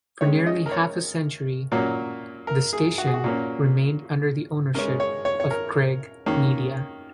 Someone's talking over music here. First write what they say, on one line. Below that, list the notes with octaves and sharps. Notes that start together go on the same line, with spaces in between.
For nearly half a century, the station remained under the ownership of Craig Media.
D#3 G#3 C#4 C#5
D#5
A#4
C#5
A#2 F#3 A#3 C#4
A#4
G#4
F#4
G#4
F#4
A#2 A#3 C#4
C#3 G#3 C#4 A#4
C#5
C#5
C#5
A#4
D#3 A#3 C#4